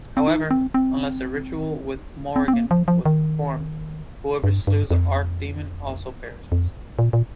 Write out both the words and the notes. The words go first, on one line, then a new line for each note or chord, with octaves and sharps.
However, unless the ritual with Morrigan was performed, whoever slews the Archdemon also perishes.
C4
D#4
C4
C4
C4
C4
A#3
F3
F3
D#3
G2
G2
F2
F2
A#2
A#2